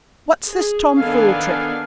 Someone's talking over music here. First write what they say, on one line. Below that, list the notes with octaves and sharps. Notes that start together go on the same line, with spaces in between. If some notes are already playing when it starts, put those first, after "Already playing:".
What's this tomfool trick?
G#4
D#3 B3 D4 A4 F5 G#5